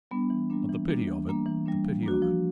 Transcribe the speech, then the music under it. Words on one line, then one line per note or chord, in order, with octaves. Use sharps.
But the pity of it--the pity of it!
G3 B3 D4
E3
G3 A#3 D4
E3
G3 A#3 D4
E3
G3 A#3 D4
E3
G3 A#3 D4
F3
A#3 D4 F#4
F3